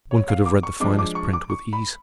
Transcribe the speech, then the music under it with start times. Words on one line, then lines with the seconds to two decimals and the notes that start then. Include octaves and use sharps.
One could have read the finest print with ease.
0.11 C#5
0.29 F5
0.46 D6
0.63 C#6
0.80 F3 G#3 D4 D6
0.99 D6
1.15 C#6
1.33 D6
1.50 C#6
1.73 B5